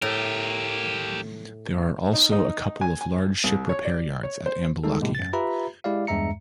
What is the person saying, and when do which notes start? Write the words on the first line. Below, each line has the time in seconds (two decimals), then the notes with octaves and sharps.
There are also a couple of large ship repair yards at Ambelakia.
0.02 A2 G4 A#4
2.13 D#4
2.32 D#4
2.81 G#5
3.01 G#5
3.44 C2
3.69 C#5
3.85 D5
4.23 C#5
4.46 C5
4.84 D#3 G3 G#3 D#4 A4
5.01 A2 C3 G#3 A#3
5.15 F#2 A6
5.33 F4 G4 B4 E5 A#5 B5
5.84 G#3 E4 G4 D5 F5
6.07 E2 G2 G#3 E5 A#5 C#7